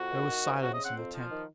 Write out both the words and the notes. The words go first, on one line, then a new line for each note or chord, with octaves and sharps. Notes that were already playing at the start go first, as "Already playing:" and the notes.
There was silence in the tent.
Already playing: F2 F#4
D#3
D#3
C3
C#3 F#4
D#5
C4 F#5
F2
F3
D#3